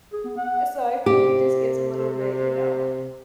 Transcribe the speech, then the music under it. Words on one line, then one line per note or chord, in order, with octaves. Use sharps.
So, I feel like it just gets a little bit, you know,
G#4
B3
F#5
C3 G4